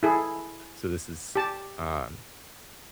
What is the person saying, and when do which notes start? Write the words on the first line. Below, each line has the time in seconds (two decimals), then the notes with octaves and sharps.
So, this is, um,
0.03 E4 G#4 A4
1.36 G4 A5